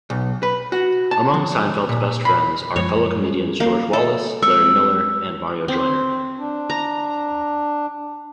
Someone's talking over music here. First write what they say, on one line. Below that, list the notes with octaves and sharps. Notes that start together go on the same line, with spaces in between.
Among Seinfeld's best friends are fellow comedians George Wallace, Larry Miller, and Mario Joyner.
B1
B4
F#4
A5
F3
A#2
B5
F#2 F3 G#3 C#5
G3 C#4 G#4
A#3
A4 C#5 D#5 E5
G#3 C4 C#6 E6
C4
D4
A#5